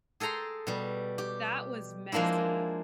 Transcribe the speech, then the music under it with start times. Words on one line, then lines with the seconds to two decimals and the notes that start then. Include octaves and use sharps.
That was messy.
0.20 G#4 A4 G5 A#5 C6
0.67 B2 G3
1.18 G4
2.12 F3 G#3 A#3 D4 E4